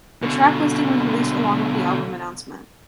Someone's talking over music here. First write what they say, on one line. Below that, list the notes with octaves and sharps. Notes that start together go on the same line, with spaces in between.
The track listing was released along with the album announcement.
B2 D3